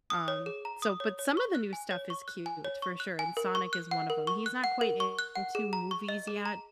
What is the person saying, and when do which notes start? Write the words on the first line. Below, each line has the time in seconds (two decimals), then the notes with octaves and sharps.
um, so, but some of the new stuff is cute, for sure, and Sonic is one of 'em, he's not quite into movies yet,
0.10 D#6
0.28 C#5
0.46 G#4
0.65 A#5
0.82 D#6
1.00 C#5
1.19 C#5
1.37 C#6
1.55 F#6
1.73 G#5
1.91 C#5
2.10 C#6
2.28 F#6
2.46 G#5
2.65 C#5
2.82 C#6
3.00 F#6
3.19 G#5
3.37 A#4
3.55 C#6
3.73 F#6
3.91 F#5
4.10 A#4
4.27 C#6
4.46 F#6
4.64 F#5
4.81 A#4
5.00 C#6
5.19 F#6
5.36 F#5
5.55 G#4
5.73 A#5
5.91 C#6
6.08 D#5
6.27 G#4
6.46 A#5